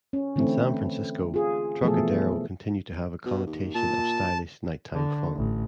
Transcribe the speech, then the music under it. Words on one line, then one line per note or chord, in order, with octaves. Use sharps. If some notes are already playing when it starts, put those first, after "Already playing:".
In San Francisco, "Trocadero" continued to have a connotation of stylish nighttime fun.
C#4
D3 E3 A3 C4 E4
F4 G#4
B2 E3 F3 A3 G#4 A4
B2
D#2
A#2 A5
D3
A1